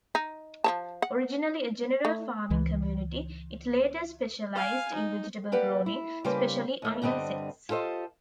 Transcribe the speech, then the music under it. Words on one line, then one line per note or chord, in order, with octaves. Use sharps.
Originally a general farming community, it later specialized in vegetable growing, especially onion sets.
D#4
F3 C#5 A5
F#5
A3
C#2 E3
F5 G#5
D#4
A#3 G4 B4 D5 F#5
E4
C#3 G3 A#3 G4 B4 C5
D#2 A3
G2 D3 G3 C4 D#5
F4 G4 A4 C5 D#5